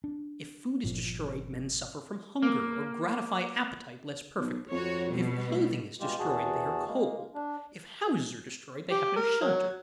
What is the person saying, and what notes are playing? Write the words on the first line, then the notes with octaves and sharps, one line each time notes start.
If food is destroyed, men suffer from hunger or gratify appetite less perfectly; if clothing is destroyed, they are cold; if houses are destroyed, they have no shelter.
D4
G1 A#2 F3
A#3
B1
F2 F#4 C#5
B2 G3
A2
B2 G3 G#3 F4 G4
E2 C3 F#4 G#4 A5
G#3 A#3
D4
G4
A#4
F#3